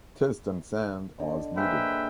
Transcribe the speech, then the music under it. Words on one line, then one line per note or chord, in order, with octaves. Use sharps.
Test and sand as needed.
D3 D#5
A#3 G#4 B4 C5 E5 G5